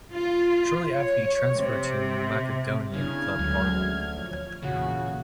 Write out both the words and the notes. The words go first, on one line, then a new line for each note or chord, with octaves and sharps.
Shortly after he transferred to Macedonian club Vardar.
F4
C#5
C3
C#3 B3 D4 E4 F6 G#6
D2 F#3 G#3 C#4
F3 C#5
A1 E2 A#2 C#3 F#4